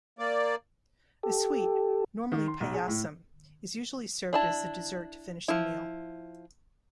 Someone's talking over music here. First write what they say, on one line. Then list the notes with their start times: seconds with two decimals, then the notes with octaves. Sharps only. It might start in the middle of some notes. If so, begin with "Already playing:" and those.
A sweet, normally "Paayasam" is usually served as a dessert to finish the meal.
0.19 A#3 D5
1.23 G4 A4
2.32 D#3
2.48 C6
2.60 B1
2.74 G#4
2.88 A2
4.33 D4 E4 A5
5.48 F3 E4